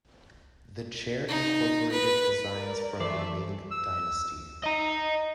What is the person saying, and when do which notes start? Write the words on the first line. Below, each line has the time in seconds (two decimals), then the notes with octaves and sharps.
The chair incorporated designs from the Ming dynasty.
1.29 D#4
1.92 B4
2.53 A#4 D5
3.00 E3 A3 C5 D5 E5
3.71 E6
4.64 D#5 A#5